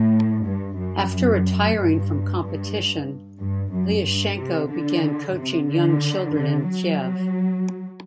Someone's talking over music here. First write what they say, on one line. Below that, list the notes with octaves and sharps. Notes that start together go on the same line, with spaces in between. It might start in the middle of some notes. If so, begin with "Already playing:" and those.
After retiring from competition, Liashenko began coaching young children in Kiev.
Already playing: A2
G2
F#2
G2
G2
G2
F#2
G2
C3
D3
C3
D3
D3
F#3